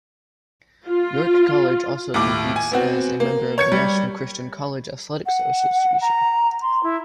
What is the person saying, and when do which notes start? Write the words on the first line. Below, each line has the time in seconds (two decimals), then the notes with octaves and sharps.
York College also competes as a member of the National Christian College Athletic Association.
0.85 F4
2.14 D#2 A2 D6
2.56 G#5
2.72 B3 C4 F#4
3.20 A#3
3.58 C#5 G#6 C#7
3.72 G3
5.26 F#5
6.01 A#5
6.62 C6
6.83 E4